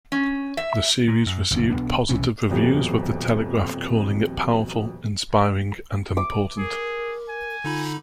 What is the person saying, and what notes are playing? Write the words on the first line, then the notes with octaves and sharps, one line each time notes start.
The series received positive reviews, with The Telegraph calling it powerful, inspiring, and important.
C#4
E5
A#2
F#2
F#1 D2
B1 B3 D4
B1 C3 E3 C#4
D#1 F2 B2 G4
D6
G#4 A#4
G#5
D3 D#4 F4 B5